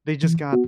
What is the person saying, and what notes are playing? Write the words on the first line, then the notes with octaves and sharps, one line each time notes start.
They just got
E3
B3 F#4